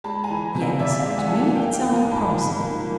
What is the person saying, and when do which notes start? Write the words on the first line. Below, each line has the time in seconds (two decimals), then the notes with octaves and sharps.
"Yes?" To me it sounded promising.
0.04 G#3 A5 B5
0.24 G#5 A#5
0.29 E3
0.55 C3
0.61 D#5 F5
0.79 C3 D5 E5
0.99 D#5 F5
1.05 G#3
1.18 F#5 G#5
1.28 E3 A5
1.36 F#5 G#5
1.55 A#3 F5 G5
1.74 F5 G5
1.81 F3
1.93 G#5 A#5
2.05 G#2
2.11 A5 B5
2.30 G#2
2.55 A#3
2.80 F3